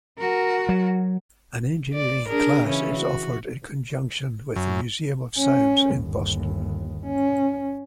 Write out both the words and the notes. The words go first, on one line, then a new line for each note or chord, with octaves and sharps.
An engineering class is offered in conjunction with the Museum of Science in Boston.
F#4 A#4
F#3
D5
D4 G#4 A#4
C#3 E3 C#4
F#4
F#2
C#4
G1 D#2
C#4